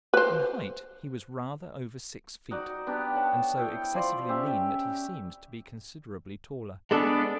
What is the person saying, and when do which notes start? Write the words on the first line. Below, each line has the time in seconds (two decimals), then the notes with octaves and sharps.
In height he was rather over six feet, and so excessively lean that he seemed to be considerably taller.
0.14 B4 C5
2.51 D#4 F#4 D5
2.87 B3 D4 G4
3.15 C#5 F#5 A5
3.57 E4 C#5 G5
3.94 F3 C5 D5
4.29 C#4 G4 E5
6.91 G#3 B3 D4 A4 D5